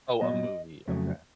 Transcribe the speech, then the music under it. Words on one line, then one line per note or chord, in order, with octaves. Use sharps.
Oh, a movie, okay.
A#2 F#3 B3 D#5
F2 C#3 F#3 A3